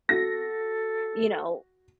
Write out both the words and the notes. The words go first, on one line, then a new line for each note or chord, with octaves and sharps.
you know,
F#4 A4 A#6